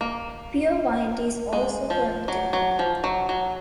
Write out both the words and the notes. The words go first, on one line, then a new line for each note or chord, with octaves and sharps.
Pure white is also permitted.
A#3
G#3
F3
F#3
F#3
F3
F#3
F#3